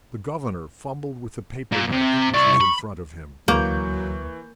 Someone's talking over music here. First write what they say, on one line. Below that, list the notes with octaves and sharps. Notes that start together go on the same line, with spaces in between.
The governor fumbled with a paper-knife which was in front of him.
A#2
C3
C2 D5 C#6
B5
D2 E3 F#3 A#3 C#6 G6